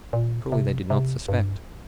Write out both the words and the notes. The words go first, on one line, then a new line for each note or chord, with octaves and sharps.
Surely they did not suspect!
A#2
C3
C3
G2